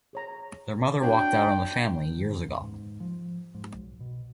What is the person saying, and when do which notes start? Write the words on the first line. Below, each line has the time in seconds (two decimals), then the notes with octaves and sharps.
Their mother walked out on the family years ago.
0.13 G#4 C#5 A#5
1.02 C4 D4 F#4 C#5 G5
2.02 D#3
2.31 C#3
2.48 E2
2.61 G#2
3.00 F3
3.54 G#2
3.74 B1
4.00 B2